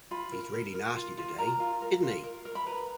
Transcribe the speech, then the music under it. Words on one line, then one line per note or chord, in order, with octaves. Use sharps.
He's really nasty today, isn't he?
F4 B5
A#4
A#4
A#4
F4
F4
A#4 A#5
F4
A#4
F4
A#4
A#4
B5
B4 A#5